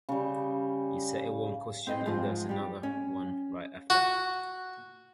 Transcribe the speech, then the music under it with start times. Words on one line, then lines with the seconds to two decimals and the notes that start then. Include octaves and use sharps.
You settle one question and there’s another right after.
0.09 C#3 G3
1.87 C4 B4 D#5 E5 G5
2.05 G#2 F3 G#3 C4 F4
2.49 G3 G4
2.83 C#4
3.90 F#4